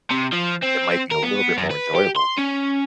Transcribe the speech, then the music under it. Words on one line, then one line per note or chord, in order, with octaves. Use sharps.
It might be a little bit more enjoyable."
C3
F3
C4
A#4
B3
F#2
B4
G4
C6
C#4